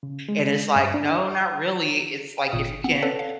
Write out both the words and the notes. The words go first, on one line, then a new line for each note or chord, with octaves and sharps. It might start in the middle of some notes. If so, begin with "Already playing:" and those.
and it's like, "No, not really," it's like, if you can
C#3
G#3
G2
D4
G5
G1 A#2 D#6
B3 C4 F#5
A4 B4 C#5 D5 F#5 A5
F5